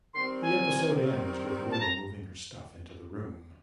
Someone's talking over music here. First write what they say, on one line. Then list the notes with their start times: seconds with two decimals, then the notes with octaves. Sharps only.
The episode ends with Willow moving her stuff into the room.
0.14 D#3 G3 C4 C6
0.42 G#5
1.71 A5
1.81 A#5